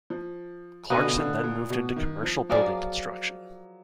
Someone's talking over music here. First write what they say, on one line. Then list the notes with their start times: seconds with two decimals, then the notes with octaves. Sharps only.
Clarkson then moved into commercial building construction.
0.10 F3
0.90 B2 B3 F4 G#4 D#5
0.97 D3
1.05 B2
1.17 D3
1.43 A#2
1.70 B2
1.96 D#3
2.23 F3
2.49 F3 F#3 A#3 F4 G#4 D5